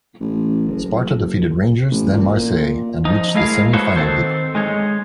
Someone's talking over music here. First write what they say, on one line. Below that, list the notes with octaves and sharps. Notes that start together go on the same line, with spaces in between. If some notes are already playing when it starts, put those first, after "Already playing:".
Sparta defeated Rangers, then Marseille and reached the semi-final group.
A1
F#1
A1
A#2
F3 D#4
G#3 A3 E4 G#4 A#4 F5
A#3 B3 F#4 A4 C5 C#5
D#3 C4 A4 C5
G#3 D#4 C#5